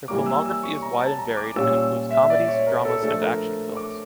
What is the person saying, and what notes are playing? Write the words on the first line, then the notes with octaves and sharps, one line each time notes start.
Their filmography is wide and varied, and includes comedies, dramas and action films.
E3 G3 A#3 D6
E6
E6
C#6
A#5
A5
A#5
D6
A#2 G3 C#4 F4 E6
E6
E5
D5
C#5
A#4
A4
F3 A3 D4 A4
A#4
D6